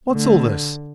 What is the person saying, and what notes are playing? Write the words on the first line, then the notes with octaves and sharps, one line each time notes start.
What's all this?'
D3 A3